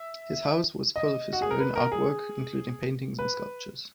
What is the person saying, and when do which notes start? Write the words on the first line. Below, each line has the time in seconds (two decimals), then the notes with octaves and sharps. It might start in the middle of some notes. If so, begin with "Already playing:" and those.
His house was full of his own artwork, including paintings and sculptures.
Already playing: E5
0.96 D#5
1.33 F#4
1.42 G#4
1.51 A#4
1.60 B4
1.76 A#4
1.92 G#4
3.19 B4